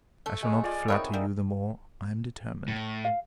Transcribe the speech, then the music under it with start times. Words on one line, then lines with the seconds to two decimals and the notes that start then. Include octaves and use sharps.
I shall not flatter you the more, I am determined.
0.26 A3 A4
0.43 G#3
0.64 F4 D5 G#5
0.88 B3 C4 D#4 A#4 C#5 E5
1.14 G3 A#3
2.68 A2
3.05 F5